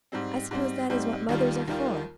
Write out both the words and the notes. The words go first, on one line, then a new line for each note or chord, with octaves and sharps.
"I suppose that is what mothers are for!"
G#2 G3 C4
G#2 G3 C4
G#2 G3 C4
D#2 D#3 G3 A#3 F4
D#2 D#3 G3 A#3 F4